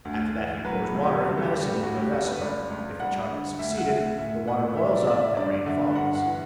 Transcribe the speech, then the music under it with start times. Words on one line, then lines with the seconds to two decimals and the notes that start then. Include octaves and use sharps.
After that he pours water and medicine into a vessel; if the charm has succeeded, the water boils up and rain follows.
0.05 D2
0.35 E3
0.65 F#3 B4
0.83 A4
0.94 C#2
1.04 G4
1.23 G3 F#4
1.38 A4
1.42 G4
1.52 G3
1.62 G4
1.82 D2 F#4
1.97 G4
2.12 C#3 A4
2.27 B4
2.42 C#2 D5
2.70 C#2
3.00 G3 F#5
3.29 D3
3.59 D2 E5
3.78 F#5
3.88 D2 E5
4.18 A2 E5
4.48 A2 F#5
4.77 E3 E5
4.93 D5
5.07 C#3 D5
5.21 E5
5.37 G2 D5
5.66 D3 E5
5.95 G2 F#5
6.15 F#5
6.25 E3